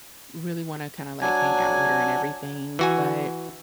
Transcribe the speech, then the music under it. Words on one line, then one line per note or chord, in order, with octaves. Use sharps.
really wanna kinda, like, hang out with her and everything, but,
F#3 D4 G#5
E3 F#4 G#5